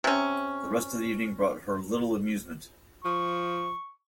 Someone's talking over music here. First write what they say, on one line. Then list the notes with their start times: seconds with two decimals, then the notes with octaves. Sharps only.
The rest of the evening brought her little amusement.
0.04 C3 C#4
3.05 F3 C#6